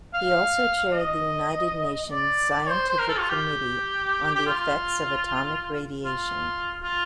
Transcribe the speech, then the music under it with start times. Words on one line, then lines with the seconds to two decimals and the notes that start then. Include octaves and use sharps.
He also chaired the United Nations Scientific Committee on the Effects of Atomic Radiation.
0.14 F5
0.92 D#5
2.11 D5
2.50 D5
2.69 C5
2.89 C5
2.99 A#4
3.08 A4
3.19 F4
3.29 G4
4.35 G4
4.47 F4
6.04 F4
6.83 F4